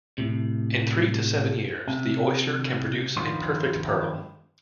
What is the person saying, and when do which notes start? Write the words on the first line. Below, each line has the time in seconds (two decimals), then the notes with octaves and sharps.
In three to seven years, the oyster can produce a perfect pearl.
0.18 A2 C3
1.87 C3
3.16 G2 D#3 F3 G3 B3 C6